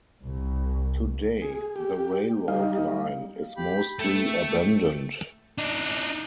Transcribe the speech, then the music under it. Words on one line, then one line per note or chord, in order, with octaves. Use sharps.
Today the railroad line is mostly abandoned.
C2
G#4
G4
G3 D#4 F5
G4 B5
A3 A4 G5
D4 D#4